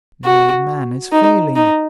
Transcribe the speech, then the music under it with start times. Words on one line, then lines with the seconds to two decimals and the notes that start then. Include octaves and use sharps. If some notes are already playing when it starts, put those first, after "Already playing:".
"The old man is failing."
0.24 F#4
1.12 D#4
1.55 D#4